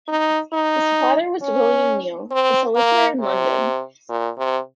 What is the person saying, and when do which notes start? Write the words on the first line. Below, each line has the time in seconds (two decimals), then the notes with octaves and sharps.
His father was William Neal, a solicitor in London.
0.08 D#4
0.53 D#4
1.42 C#4
2.31 C4
2.75 A#3
3.19 C3
4.09 A#2
4.38 C3